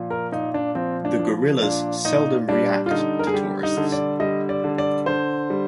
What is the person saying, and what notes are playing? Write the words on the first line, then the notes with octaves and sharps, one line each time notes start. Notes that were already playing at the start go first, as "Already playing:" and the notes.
The gorillas seldom react to tourists.
Already playing: A#2 F3
A#4
A#2 D#4
D4
F3 C4
D4
F3
A#2 D4
A#2 D#4
G3 D4
F4
D3 D#4
A#4
G#4
G3 G4
D#4
D3
D5
G3 D#5
D5
D3
D5
D3 C5
G3